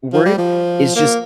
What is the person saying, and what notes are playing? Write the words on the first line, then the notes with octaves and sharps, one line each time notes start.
worried, is just
F3
G3
F3
A#3